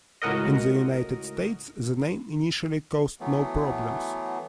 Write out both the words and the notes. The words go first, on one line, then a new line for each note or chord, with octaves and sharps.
In the United States the name initially caused no problems.
C#2 A2 F#4 A#4 D#5
E3 F#3 A3 B3